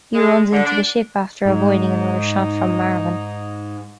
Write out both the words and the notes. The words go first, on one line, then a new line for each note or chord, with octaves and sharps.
He runs into the ship after avoiding another shot from Marvin.
G#3
D3
D4
G#2 D#4